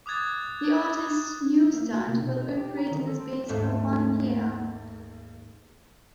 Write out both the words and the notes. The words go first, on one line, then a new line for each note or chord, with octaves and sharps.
The Artist Newsstand will operate in the space for one year.
D6 D#6 F#6 G#6 A6
E4
A#3
F#4
C3
B2
D#4
G4
A#5
D#3
A4
C4
D#2 G#2 A3